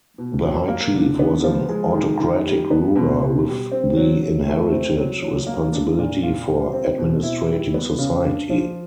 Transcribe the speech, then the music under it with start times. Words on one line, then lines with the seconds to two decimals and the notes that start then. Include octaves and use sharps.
The high chief was an autocratic ruler with the inherited responsibility for administrating society.
0.18 B2
0.44 F#3
0.68 A#3
0.94 D3
1.19 B3
1.44 F3
1.69 G#3
1.94 D#3
2.20 D#3
2.45 G3
2.71 B3
2.96 B2
3.21 B2
3.46 G3
3.71 C4
3.97 F#3
4.21 F#3
4.47 A3
4.71 C4
4.97 F#3
5.22 F#3
5.47 A#3
5.72 D4
5.98 A#2
6.23 F4
6.48 G3
6.73 C4
6.98 B2
7.23 E4
7.49 G3
7.74 B3
7.98 C#3
8.25 D4
8.50 F3